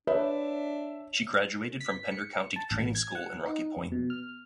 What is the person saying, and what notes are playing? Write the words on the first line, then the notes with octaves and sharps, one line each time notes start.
She graduated from Pender County Training School in Rocky Point.
D4 B4 C#5 E5
B6
C#7
A5
A1
G#6
F#5
D#4
F2
B2
F6